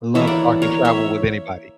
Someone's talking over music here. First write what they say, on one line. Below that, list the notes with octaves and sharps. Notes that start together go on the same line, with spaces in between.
I love talking travel with anybody.
E3 A#3 C#5 E5
D5 F#5
A#4 C#5
C#5 E5